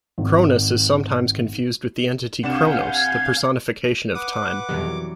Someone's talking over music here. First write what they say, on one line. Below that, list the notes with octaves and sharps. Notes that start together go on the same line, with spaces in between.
Cronus is sometimes confused with the entity Chronos, the personification of Time.
G#1
C2 D4 F5 F#5 G#5 G6 E7
G#6
B4 F#5 D6 D#6
F2 B2 D#3 E3 F#3 G3